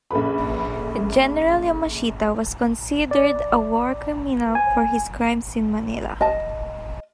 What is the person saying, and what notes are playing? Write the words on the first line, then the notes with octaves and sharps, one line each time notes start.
General Yamashita was considered a war criminal for his crimes in Manila.
A#1 C#3 A4 B4 B5
D5
G#5
D#5 A5